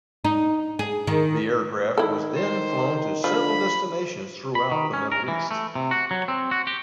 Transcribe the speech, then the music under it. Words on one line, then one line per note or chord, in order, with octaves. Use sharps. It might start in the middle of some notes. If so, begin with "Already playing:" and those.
The aircraft was then flown to several destinations throughout the Middle East.
D#4
G#4
D#3
D#3 E4 A4
C5
D3 F3 B5
B5
D#3
C#4
A#4
E3
A3
C3
F#4
F#3
C4
F#4
G4